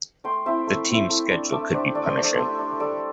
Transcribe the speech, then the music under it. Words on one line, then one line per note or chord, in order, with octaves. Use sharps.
The team's schedule could be punishing.
A3 G5 C6
C4 E4 E5 A5
A3
C4 E4
A3
D4
A3 A5 D6
D4 G4 C5
A3 D5
C5
D4
A4
A3 G4 C5
D4
G3 A4 D5